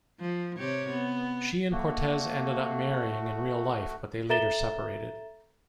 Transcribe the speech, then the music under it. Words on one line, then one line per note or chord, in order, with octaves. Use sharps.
She and Cortez ended up marrying in real life, but they later separated.
F3
C3 G4 C#5
B3
A3 A#3 F#4
A4 E5 A#5 A6 E7 G7